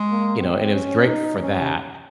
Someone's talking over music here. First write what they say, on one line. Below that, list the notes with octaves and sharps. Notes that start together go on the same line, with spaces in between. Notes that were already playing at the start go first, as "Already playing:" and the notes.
you know, and it was great for that,
Already playing: G#3
A#3
C4
C#4
D#4
C#4
C3